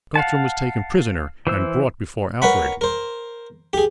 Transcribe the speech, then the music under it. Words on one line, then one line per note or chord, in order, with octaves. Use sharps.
Guthrum was taken prisoner and brought before Alfred.
F5 F#5 A5
E3 C5 E6
A#4 B4 C#5 F#5 B5
A#4 C5
G4 G#4